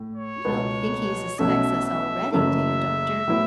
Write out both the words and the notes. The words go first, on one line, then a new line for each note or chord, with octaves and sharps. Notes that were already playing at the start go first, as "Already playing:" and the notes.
"You don't think he suspects us already, do you, doctor?"
Already playing: A2
C#5
C#2 B2 B3
B1 B2 A3 C#4 E5
E5
F#1 F#2 C#3 E3 A3 E5
A2 F#3 B3 E4